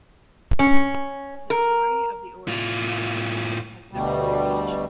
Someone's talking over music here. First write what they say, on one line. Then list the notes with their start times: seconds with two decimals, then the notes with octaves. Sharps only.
The story of the origin of the song has several variations.
0.59 C#4
1.50 A#4
2.48 A2 F4
3.92 D2 B2 G3